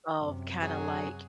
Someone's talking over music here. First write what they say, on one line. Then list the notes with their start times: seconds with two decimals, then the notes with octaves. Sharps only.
of kinda, like,
0.18 F#2 C3
0.62 F#3 G#4